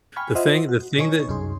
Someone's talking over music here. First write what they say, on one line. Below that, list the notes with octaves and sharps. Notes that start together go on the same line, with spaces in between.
The thing the thing that
G5 G#5 B5 C#6 F6 G#6
F4 C5 D#5 E5 F#5
F#4
B2 D#4 C#5 G#5 C#6
C2 F#2 C#4 D#4 G#4 C6